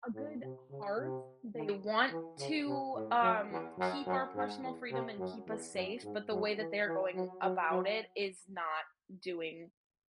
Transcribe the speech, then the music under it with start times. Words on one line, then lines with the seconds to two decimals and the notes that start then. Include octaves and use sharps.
a good heart. They want to, um, keep our personal freedom and keep us safe, but the way that they're going about it is not doing
0.14 A2
0.42 C3
0.70 C#3
0.98 C3
1.54 D#3
2.10 E3
2.38 C#3
2.66 C3
2.94 A2
3.22 F#2
3.50 E2
3.77 F#2
4.06 F#2
4.34 G#2
4.62 E2
4.90 C3
5.18 F#2
5.46 E2
5.74 F#2
6.03 G#2
6.31 F#2
6.58 E3
6.86 E3
7.14 F#3
7.43 F#3
7.71 F#3